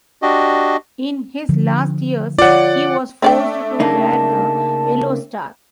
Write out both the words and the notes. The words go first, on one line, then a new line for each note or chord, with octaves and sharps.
In his last years he was forced to wear the yellow star.
D4 F#4 G4 D#5
D3 F3
F4 C#5 D5 F#5
A3 C4 D4 D5 E5 G5
C#3 A#3 D#4 A5